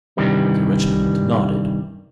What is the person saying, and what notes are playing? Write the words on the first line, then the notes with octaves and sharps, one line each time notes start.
Sir Richmond nodded.
G2 C3 D#3 E3 G3